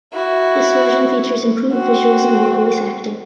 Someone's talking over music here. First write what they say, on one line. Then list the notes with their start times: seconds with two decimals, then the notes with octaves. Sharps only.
This version features improved visuals and more voice acting.
0.14 E4 F#4
1.73 C4 F#4